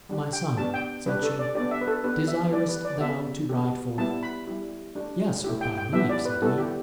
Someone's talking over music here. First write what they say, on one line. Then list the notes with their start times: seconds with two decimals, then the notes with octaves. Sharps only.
"My son," said she, "desirest thou to ride forth?" "Yes, with thy leave," said he.
0.09 G3 D4 G4
0.33 G5
0.57 B3 D4 G4 A5
0.74 G5
1.06 G3 D4 G4 B4
1.23 A4
1.39 D5
1.55 B3 D4 G4 D5
1.71 E5
1.81 B4
1.87 A4
2.04 B3 D4 G4 B4
2.28 E5
2.52 G3 E4 G4 D5
2.69 B4
2.85 D5
3.01 B3 G4 E5
3.49 B3 G4
3.98 G3 B3 E4 G4 A5
4.23 B5
4.47 G3 E4 G4
4.95 A3 D4 G4
5.44 A3 E4 G4
5.61 G5
5.77 G5
5.93 B3 E4 G4 E5
6.09 D5
6.25 B4
6.42 G3 B3 E4 G4 A4
6.58 G4